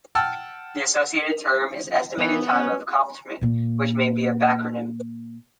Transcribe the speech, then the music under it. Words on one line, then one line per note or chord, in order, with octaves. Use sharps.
The associated term is "estimated time of accomplishment", which may be a backronym.
F#5 G5 A5 E6 F6
E3 B3
C#4
A#2 A#3